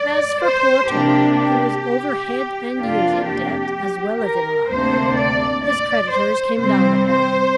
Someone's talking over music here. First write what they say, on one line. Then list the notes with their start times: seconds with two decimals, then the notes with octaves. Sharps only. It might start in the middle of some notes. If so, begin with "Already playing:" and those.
As for poor Tom, he was over head and ears in debt as well as in love: his creditors came down upon him.
Already playing: D5
0.42 C5
0.89 C3 A#3 D4 G4
1.36 G4
2.78 F2 C3 A#3 D4 F4
3.26 G4
4.21 A#4
4.68 D2 C3 A#3 D4 C5
5.17 D5
5.64 D5
6.10 C5
6.58 C3 G3 C4 C5
7.06 C5